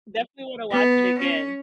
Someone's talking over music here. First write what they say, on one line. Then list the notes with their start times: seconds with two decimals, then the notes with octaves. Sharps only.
defintietly wanna watch it again.
0.72 B3
1.19 C#4